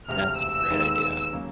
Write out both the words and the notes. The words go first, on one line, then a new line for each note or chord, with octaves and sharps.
That's a great idea.
E1 D2 C3 F6
E6
D#2 D#3 G#3 B3 D#4
C#3 F#3 A#3